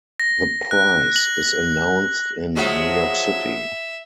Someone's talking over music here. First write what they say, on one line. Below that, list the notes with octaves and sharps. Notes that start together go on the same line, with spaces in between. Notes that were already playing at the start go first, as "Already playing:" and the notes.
The prize is announced in New York City.
A#6
F#6
F#7
F3 F#3 G#3 E5